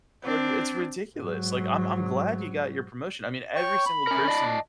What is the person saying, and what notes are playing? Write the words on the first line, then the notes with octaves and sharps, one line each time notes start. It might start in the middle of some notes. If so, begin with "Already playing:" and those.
like r It's ridiculous, like, "I'm I'm glad you got your promotion." I mean, every single person
C4 D4
G#2 F#3
C#5 G5 C#6
B5
C#4 A#4
D5 D#5 A5